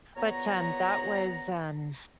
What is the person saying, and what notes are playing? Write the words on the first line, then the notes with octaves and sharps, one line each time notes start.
But, um, that was an
E2 A#2 B3 C#5 A#5